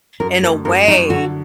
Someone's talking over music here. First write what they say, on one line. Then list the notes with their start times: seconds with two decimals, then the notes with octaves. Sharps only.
in a way
0.20 F#2 A#4
0.43 A3 A#4
0.65 F#2 A#4
0.88 F#3 D#4
1.10 D3 F#4